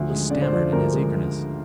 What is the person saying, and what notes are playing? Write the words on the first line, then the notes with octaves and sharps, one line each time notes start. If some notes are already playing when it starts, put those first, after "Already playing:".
He stammered in his eagerness.
Already playing: D2 D3 F3
G#3
D3 D5
C5
F3 D5
D2 A#4
G#3